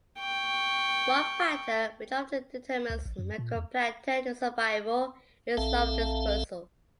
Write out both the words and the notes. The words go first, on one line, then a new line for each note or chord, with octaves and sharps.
One factor which often determines meroplankton survival is larval dispersal.
G5 C#6
C#2
A1
F#2
A#2
E2
A#1 C4 A4 E5 F5 A5